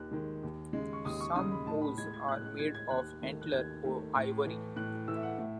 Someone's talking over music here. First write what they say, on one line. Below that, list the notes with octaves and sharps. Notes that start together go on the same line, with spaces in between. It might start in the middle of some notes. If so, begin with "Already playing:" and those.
Some hoes are made of antler or ivory.
Already playing: D#2 D#3 F#6
D#3 G#3
D#2
C#3 G#3
C#6
D#2 D#6
C#6
C#3 G#3 D#6
B5
A2 A5
B5
G#3 G#6
G#6
A2 F#6
F#6
G#3 G#6
G#6
D#2 F#6
D#3 A3
F#6
D#2 G#6
D#3 A3
A2
E3 A3
A2 F#6
E3 A3 E6
E5
F#5
A2 E5